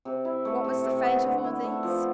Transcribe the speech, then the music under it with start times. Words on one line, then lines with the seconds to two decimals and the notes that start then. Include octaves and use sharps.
What was the fate of all these?
0.05 C3
0.25 E4
0.45 A3
0.64 C3
0.84 C3
1.04 B3
1.24 D3
1.44 E4
1.63 A3
1.83 F3